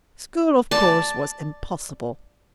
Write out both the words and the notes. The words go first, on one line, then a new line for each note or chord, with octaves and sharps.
School, of course, was impossible.
D5 A5